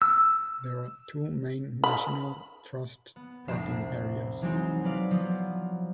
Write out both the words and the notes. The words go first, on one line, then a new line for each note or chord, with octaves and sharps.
There are two main National Trust parking areas.
E6
B5
B3
F1 C2 E5 C7 E7
E3 F#3 G#3 C4 D#4
F#3 B4 D5 F5
F3 F#3 B3